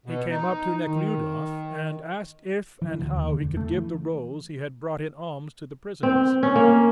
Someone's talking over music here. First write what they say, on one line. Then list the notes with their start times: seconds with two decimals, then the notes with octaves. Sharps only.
He came up to Nekhludoff, and asked if and how he could give the rolls he had brought in alms to the prisoners.
0.06 B2
0.29 D#4
0.84 D#3
2.82 E3
2.99 D2
3.14 D#2
3.29 D3
3.41 E1
3.57 A3
3.71 E3
6.03 C4
6.43 C#4
6.56 A#3